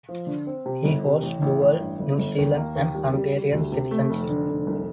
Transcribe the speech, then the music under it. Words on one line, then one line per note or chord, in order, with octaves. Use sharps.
He holds dual New Zealand and Hungarian citizenship.
F3
D3
C4
C3
G1
C3
A1
A1
A1
G2
G1
G1
D#2
A#3
D#2
G3
G3
G3
D2
C3
A3
F1
D3
F1
C2